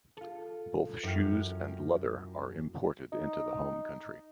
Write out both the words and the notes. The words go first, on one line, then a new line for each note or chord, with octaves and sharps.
Both shoes and leather are imported into the home country.
F4 A4
F#2 E4 F#5 G5 F6
D#4